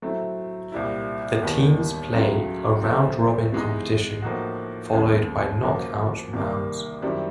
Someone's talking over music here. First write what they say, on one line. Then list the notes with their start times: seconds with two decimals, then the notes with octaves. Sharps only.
The teams play a round-robin competition followed by knock-out rounds.
0.02 F#3 A3 C4 E4
0.72 C2 A#2 G3 C4 E4
1.42 D#2 D#3 G3 B3
2.12 C#2 C#3 F#3 A3
2.82 F3 A3 C4
3.52 C3 E3 G#3 B3 D#4
4.22 A2 F3 A#3 D#4 F#4
4.93 D#2 C#3 F3 G#3 B3
5.62 F3 A#3 C#4 F#4
6.33 C2 C3 D#3 G3 A#3
7.02 F#2 D#3 G3 C4 E4